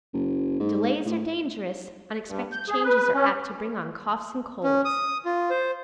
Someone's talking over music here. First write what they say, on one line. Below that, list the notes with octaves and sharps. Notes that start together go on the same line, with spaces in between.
Delays are dangerous unexpected changes are apt to bring on Coughs and Colds.
F#1
G#2
A2
G2
G6
G#4
B4
C#4
C#4
D#6
F4
C5